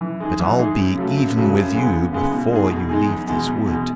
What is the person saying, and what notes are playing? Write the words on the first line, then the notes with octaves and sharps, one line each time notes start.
"But I'll be even with you before you leave this wood."
E3
G#3 D#4 G#4
E3
G#3 D#4 G#4
F#2
C#3 F#3 A3
F#2
C#3 F#3 A3
F#2
C#3 G#3 B3
F#2
C#3 G#3 B3
B2
G#3 D#4 G#4
B2
G#3 D#4 G#4
E2
B2 G#3
E2
B2 G#3